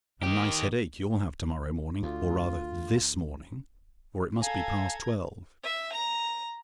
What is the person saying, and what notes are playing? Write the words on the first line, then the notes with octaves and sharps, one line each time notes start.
A nice headache you'll have to-morrow morning--or rather THIS morning; for it must be past twelve.
D#3 G4
D2 F4
A4 F5 G#5 A#5 G#6
E5
A#5